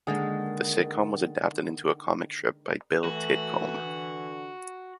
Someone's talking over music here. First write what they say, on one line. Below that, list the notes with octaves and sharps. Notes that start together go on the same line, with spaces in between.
The sitcom was adapted into a comic strip by Bill Titcombe.
D3 D#3 G#3 A#3 G#4 F#5 D#6 A6
E3 A3 F#4
D3